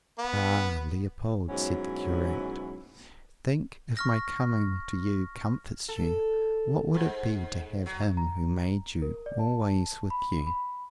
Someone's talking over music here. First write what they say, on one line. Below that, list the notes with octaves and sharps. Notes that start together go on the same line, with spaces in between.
"Ah, Leopold!" said the curate, "think, if my coming to you comforts you, what would it be to have him who made you always with you!"
B3
G#2 B2 F#3 C#4 E4
C#6 F6 A#6
A4
G#2
F#3
A#5
A#4
D5
A5
B5
B5